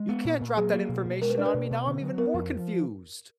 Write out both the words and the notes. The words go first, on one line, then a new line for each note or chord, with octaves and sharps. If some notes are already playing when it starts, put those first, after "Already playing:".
You can't drop that information on me. Now I'm even more confused.
Already playing: G#3
B3
A#2
A#2
F#3 G#4
A#3
B2
B2
G#3 A#4
B4
D4 D5
B4
B2
B2
D3
F#3
B3 A#4
F2
F3